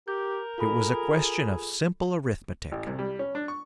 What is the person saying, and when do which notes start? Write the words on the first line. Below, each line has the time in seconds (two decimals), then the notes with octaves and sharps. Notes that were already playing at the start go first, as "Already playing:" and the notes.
It was a question of simple arithmetic.
0.08 G4 A#4 G6
0.58 F4 G#4 A4 B5
2.72 A1
2.87 C2
2.99 G3
3.19 C#4
3.35 D4
3.48 C#6